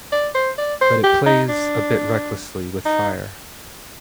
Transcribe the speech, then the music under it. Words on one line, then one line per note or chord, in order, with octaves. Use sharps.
But it plays a bit recklessly with fire.
D5
C5
D5
C5
G4
D#4
D4
D#4